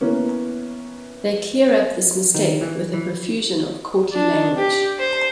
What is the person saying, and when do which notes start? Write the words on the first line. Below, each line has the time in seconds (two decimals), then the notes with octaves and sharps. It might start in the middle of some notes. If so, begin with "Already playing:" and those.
They clear up this mistake with a profusion of courtly language.
0.01 E3 A#3 B3 C#4
2.34 D#3
2.61 E3
2.93 E3
4.12 D4
4.57 G4
4.99 C5